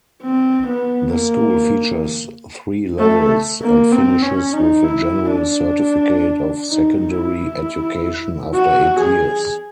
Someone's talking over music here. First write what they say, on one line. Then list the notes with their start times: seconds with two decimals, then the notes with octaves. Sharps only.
The school features three levels and finishes with a general certificate of secondary education after eight years.
0.23 C4
0.68 B3
1.15 A#3
2.99 A3
3.62 A#3
3.92 C4
4.22 C#4
4.53 D#4
4.84 E4
5.31 D4
6.69 D#4
7.15 E4
8.55 F#4
9.00 G#4